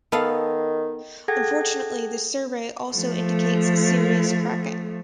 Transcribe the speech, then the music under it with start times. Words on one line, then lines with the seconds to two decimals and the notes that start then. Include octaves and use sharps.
Unfortunately, the survey also indicates serious cracking.
0.12 D#3 B3 A4 F5
1.28 G#4 A4 F#5 G5 G#6 A#6
2.94 F3 A3